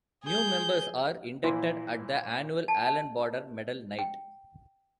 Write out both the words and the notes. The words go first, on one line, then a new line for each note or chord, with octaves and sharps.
New members are inducted at the annual Allan Border Medal night.
G#4 G6
A#2 E3 F3 E4 C6
A5
A5
G5